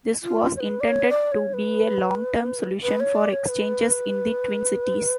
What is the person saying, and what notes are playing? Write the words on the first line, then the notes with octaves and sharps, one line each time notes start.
This was intended to be a long-term solution for exchanges in the Twin Cities.
F4
C#5
B4
D5
C#5
D5
C#5
B4
B4
C#5
D5
C#5
B4